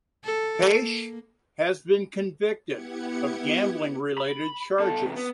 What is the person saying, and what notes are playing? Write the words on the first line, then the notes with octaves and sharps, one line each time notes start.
Paetsch has been convicted of gambling-related charges.
A4
A#3
B3 E4 G4 F#5 G#6 C#7
B5
B2 A4
E2 C3
B3